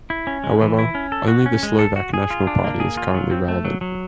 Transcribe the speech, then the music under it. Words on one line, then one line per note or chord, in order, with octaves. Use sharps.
However, only the Slovak National Party is currently relevant.
E4
C#4
G#3
E3
E4
C#4
A4
F#4
C#4
G#3
A4
F#4
G#4
F4
D4
A#3
G#4
F4
F#3
C4
A3
F#3
F#3